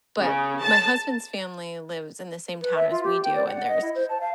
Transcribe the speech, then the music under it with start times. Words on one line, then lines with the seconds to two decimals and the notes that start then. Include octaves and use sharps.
but my husband's family lives in the same town as we do, and there's
0.20 C#3
0.63 A5
2.62 B4
2.75 E5
2.90 F4
3.03 G4
3.23 G5
3.35 D5
3.46 F#5
3.68 D#5
3.82 E4
3.95 C5
4.09 A5
4.20 F5